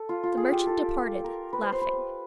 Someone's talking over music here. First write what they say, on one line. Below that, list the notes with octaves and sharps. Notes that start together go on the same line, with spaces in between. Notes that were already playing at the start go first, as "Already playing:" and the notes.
The merchant departed, laughing.
Already playing: A4
F4
F4
G#4
G4
A4
A#4
B4
C5
C5
B4